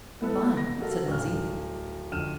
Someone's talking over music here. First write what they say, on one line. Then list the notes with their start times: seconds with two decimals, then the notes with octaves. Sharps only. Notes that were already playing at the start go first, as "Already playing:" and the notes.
"Good-bye," said Lizzie.
0.21 B3 E4 A4 B4
0.57 A#6
0.80 F#4 G4 A4 A#4 F5
1.08 D1 F6
2.12 F2 D3 F6 D#7 E7